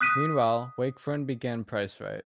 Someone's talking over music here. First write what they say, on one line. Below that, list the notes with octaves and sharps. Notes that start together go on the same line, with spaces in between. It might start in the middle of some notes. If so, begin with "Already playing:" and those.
Meanwhile, Wakefern began PriceRite.
D#6 F#6 B6 D#7